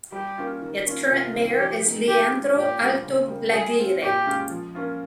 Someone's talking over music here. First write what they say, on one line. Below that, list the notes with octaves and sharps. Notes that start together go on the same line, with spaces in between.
Its current mayor is Leandro Altolaguirre.
G3 G4
A#3 C#4 F4
D#3
A#3 C#4 F4
C3 F4
D#3 G3 C4 F4
F3 G4
G#3 C4 D#4
D#3 G4
G#3 C#4 F4
A#2 G4
G3 C#4 F4
C#3
G3 A#3
G3 G#4
C4 F4
A#2 G4
G#3 C#4 F4
F3
A#3 C#4 F4